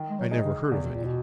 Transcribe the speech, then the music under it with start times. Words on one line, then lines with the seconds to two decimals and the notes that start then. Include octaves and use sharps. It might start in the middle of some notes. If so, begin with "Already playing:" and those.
I never heard of any.'
Already playing: D#3
0.10 G#3
0.19 F#3
0.31 G#3 D#4 G#4
0.45 C#3
0.71 E2 C#3
0.83 B2
0.94 A#2
1.05 B2